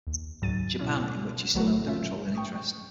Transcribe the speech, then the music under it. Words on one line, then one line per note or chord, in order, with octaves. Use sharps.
Japan in which he still owned a controlling interest.
D#2
C#2 G#2 D#3 F#3 A6 D#7
B2 C#4 E4
A#1 D3 F#3 A3 F#4 B4
C#4 F4 E5
G5 C#6 D#6